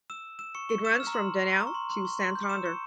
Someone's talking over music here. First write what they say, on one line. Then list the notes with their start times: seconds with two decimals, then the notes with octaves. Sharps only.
It runs from Danao to Santander.
0.10 E6 E7
0.39 E6 E7
0.55 C#6 C#7
0.69 C#6 C#7
0.84 E6 E7
1.00 F6
1.07 A#5
1.14 C6
1.60 A#5
1.67 C#6
1.75 C6
1.90 C6
2.05 C#6
2.20 C6
2.35 G6
2.43 C#7
2.49 E6 E7
2.65 C#6 C#7